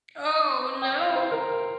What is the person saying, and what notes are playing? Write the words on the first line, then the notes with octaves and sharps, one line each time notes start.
Oh, no.
G5
F5
C5
A#4